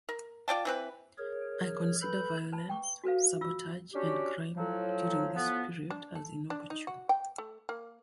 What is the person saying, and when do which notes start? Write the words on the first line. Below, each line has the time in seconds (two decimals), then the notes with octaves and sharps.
I consider violence, sabotage, and crime during this period as inopportune.
0.09 A#4
0.48 F4 D5 G5 A5
0.65 E3 C4 B4
1.18 G#4 A#4 C#5
2.01 A4 B4 B5 G6
2.52 B4 A5 B5
2.69 G5 C#6 D6
3.04 F#4 A4 B4 F5
3.41 F4 E6
3.94 C#4 D4 F#4 G4
4.56 A2 F3 F#3
5.35 A2 F3 B3
5.90 D4
6.15 A4
6.50 D4
6.70 D#4
6.87 F#4
7.09 G5
7.38 A3
7.69 A#3